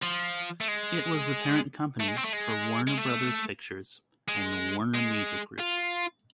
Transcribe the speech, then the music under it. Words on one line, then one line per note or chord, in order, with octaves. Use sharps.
It was the parent company for Warner Brothers Pictures and Warner Music Group.
F3
A3
G#3
A3
G#3
C4
A3
G#3
G#3
A3
G#3
G#3
F4